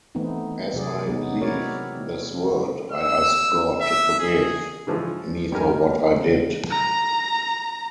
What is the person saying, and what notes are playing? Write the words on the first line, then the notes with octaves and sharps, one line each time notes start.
As I leave this world, I ask God to forgive...me for what I did.
E3 A3 B3 C4 D#4
C3 F#3 G#4 D5
G#3 B3 D#4
C4 E4 F#4 A#4 C#5 D5
F#3 G#3 F#4
E6
E5
G#4
C#3 E3 F3 G#3
G2 G4 A#4 G#5
A#5